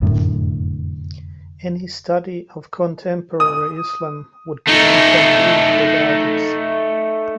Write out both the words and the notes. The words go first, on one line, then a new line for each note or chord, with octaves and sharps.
Any study of contemporary Islam would be incomplete without it.
F1 F#2 A2 D3
D#6
A3 D#4